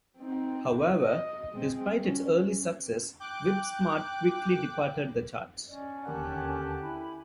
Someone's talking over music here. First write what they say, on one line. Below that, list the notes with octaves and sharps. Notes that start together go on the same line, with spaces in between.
However, despite its early success, "Whip-Smart" quickly departed the charts.
C4 D#4
D#5
G#3 C4
C#4
G5 D6 F#6
C#4 D5 D#5
D#2 D3 G4 A#4 F#5 A5 F#6
E4 G#5 B5